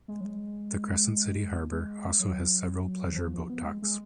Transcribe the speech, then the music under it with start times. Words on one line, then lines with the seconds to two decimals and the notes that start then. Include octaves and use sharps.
The Crescent City Harbor also has several pleasure boat docks.
0.08 G#3
0.21 F#3
0.25 G#3
1.71 G#3
2.20 F#3
3.12 D#3
3.16 F3
3.33 F3
3.50 B3
3.65 G#3
3.82 G#3